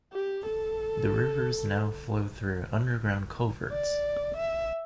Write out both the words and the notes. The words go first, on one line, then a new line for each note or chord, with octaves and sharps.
The rivers now flow through underground culverts.
G4
A4
D5
E5